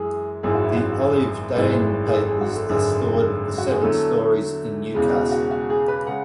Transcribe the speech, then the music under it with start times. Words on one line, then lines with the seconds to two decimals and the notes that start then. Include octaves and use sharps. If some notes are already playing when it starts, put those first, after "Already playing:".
The Olive Dehn Papers are stored at the Seven Stories in Newcastle.
Already playing: F#2 E3 G#3 G#4
0.43 G#1 F#2 E3 G#3 G#4
0.55 F#4
0.65 E4
0.76 F#4
0.93 F#4
1.00 G#4
1.56 G#1 F#2 E3 G#3
2.07 G#4
2.13 A4
2.27 G#4
2.41 F#4
2.55 A4
2.69 G#1 F#2 D3 G#3 G#4
3.58 F#4
3.70 G#4
3.82 E2 D3 F#3 A3 A4
4.94 E1 E2 C#3 G#3
5.13 F#4
5.32 F#4
5.51 F#4
5.70 G#4
5.88 B4
6.07 C#3 G#3 F#5